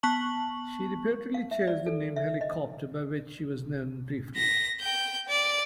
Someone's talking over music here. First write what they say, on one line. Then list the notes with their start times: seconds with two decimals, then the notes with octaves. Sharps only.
She reportedly chose the name "Helicopter" by which she was known briefly.
0.03 B3 A5 C#6 F#7
1.34 F5
1.51 E5
1.67 D5
1.86 A4
2.16 E5
2.41 D#5
4.36 A#6 B6
4.80 G5 G6
5.28 D5